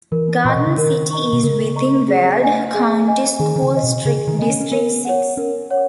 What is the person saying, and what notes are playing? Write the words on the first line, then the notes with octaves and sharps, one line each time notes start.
Garden City is within Weld County School District Six.
E3 A#4
A#2 D#5 A#5 C#6
B2
C#3
D#3 A#4
D#5 A#5 C#6
B2
C#3 A#4
D#5 A#5 C#6
G#4
D#5 G#5
G#4
D#5 G#5
D#3 G#4
D#3
C#3
D#5 G#5
B2
C#3 G#4
D#3
B3 D#5 G#5
C#4
C#4
B3 A#4
C#5 F#5
C#4 A#4
C#5 F#5